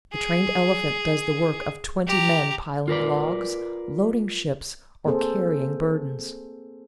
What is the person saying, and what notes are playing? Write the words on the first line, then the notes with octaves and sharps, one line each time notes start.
The trained elephant does the work of twenty men piling logs, loading ships, or carrying burdens.
G#4
G4 A#5
F4 A#4 B4 D5
A#3 C4 G#4 A4 C5